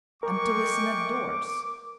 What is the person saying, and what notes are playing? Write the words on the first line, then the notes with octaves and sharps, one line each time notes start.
"And to listen at doors!"
G#3 A#4 G5 C#6 D6